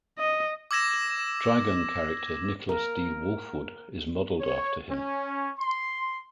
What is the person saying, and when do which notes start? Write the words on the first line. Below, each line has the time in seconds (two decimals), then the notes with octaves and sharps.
Trigun character Nicholas D. Wolfwood is modeled after him.
0.19 D#5
0.71 D6 E6 G#6 A#6 E7
2.69 A#4
4.41 C#5
4.90 C#4
5.58 C6